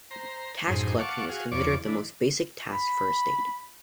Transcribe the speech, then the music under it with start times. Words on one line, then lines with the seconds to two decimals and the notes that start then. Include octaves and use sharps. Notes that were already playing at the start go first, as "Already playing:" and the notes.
Tax collection is considered the most basic task for a state.
0.11 C5 A#5
0.67 F#2 A2 D#4 G#4 C5
0.99 F5 F#5 A5 C#6 D6
1.29 F#4 G#4 F5
1.52 E2 F3 C#5 D5 D6
1.86 E3 D4
2.71 B5